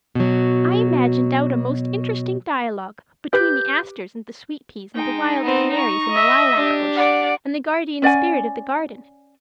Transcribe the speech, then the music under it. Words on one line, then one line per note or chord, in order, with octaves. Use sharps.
I imagined out a most interesting dialogue between the asters and the sweet peas and the wild canaries in the lilac bush and the guardian spirit of the garden.
B2 F#3
G4 B4 G6
G#3 D#4 G5
B3 C4
A#5 C#6
D#5 E5
D4 G4
D5 F#5
C#4 D5 F#5 G#5